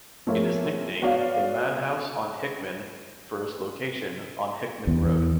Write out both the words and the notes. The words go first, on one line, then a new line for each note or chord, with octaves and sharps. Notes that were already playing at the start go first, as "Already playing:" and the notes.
It is nicknamed the "Madhouse on Hickman" for its location on Hickman Road.
F3 A3 A#3 G#4 C#5 E5
B3 F#4 C#5 D5 F5
E2